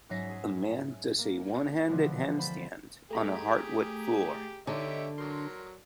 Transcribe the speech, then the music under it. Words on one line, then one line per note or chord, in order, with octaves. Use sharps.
A man does a one handed handstand on a hardwood floor.
G#2 F#3 C#4 E5 A#6 C7
G#4
A#3
B2 D3 E3 F3 G#3 B3
C5 B5 A6
A3 G4 G#4 A#5 B6
D3 D#4 G4 C#5 E5
F#3 A#4 C6